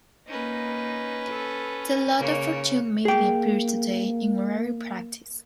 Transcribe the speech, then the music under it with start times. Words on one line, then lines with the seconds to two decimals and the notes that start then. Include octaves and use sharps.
The Lot of Fortune mainly appears today in horary practice.
0.28 A#3 C#4 D#4 B4
1.30 A4
2.19 C#3 A#3 C#5
3.05 A#3 G#4 G5